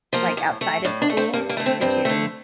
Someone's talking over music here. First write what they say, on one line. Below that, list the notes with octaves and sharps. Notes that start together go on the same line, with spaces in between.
like, outside of school? Did you
F3 A#3
A2
A3
A2 D4
D4
A3
C4
G2 A#3
A#3
D3 A3
C4
G2 C4
D3 A3